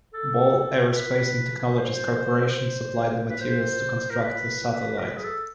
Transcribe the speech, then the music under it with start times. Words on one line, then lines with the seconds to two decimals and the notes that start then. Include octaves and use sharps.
Ball Aerospace and Technologies Corporation supplied the materials to construct the satellite.
0.14 A4
0.95 B4
1.77 C5
3.29 B4
3.40 C5
4.10 A#4
4.22 B4
4.98 A#4
5.03 B4
5.17 G#4
5.24 A4